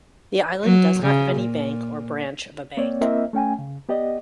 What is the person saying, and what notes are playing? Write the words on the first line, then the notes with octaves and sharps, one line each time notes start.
The island does not have any bank or a branch of a bank.
F#3
C#3
A#2
A#3 C4 C#5 D5
A#3 C4 E4 A#4 D#5 E5
A3 C#4 G5 G#5
C#3
B3 G4 D5 D#5